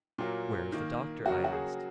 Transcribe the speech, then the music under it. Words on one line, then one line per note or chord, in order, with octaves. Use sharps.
"Where is the Doctor?" I asked.
A#2 F#3 A#3
D#3 A#3
C#3 F#3 A#3 F#4
F#4
G#4